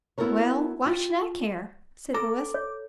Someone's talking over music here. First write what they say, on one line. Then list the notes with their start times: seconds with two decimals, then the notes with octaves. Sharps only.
"Well, why should I care?" said Louis.
0.18 B3 E4 F#4 A4 A#4 C#5
0.86 F4 G4
2.14 A4 A#5 D6
2.54 C#5